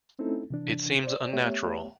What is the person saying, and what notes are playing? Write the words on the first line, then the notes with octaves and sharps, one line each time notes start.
It seems unnatural!
A3 C4 C#4 D#4 E4 A4
C3 E3 D4
C5 D5
A3 B3 G4 C#5 E5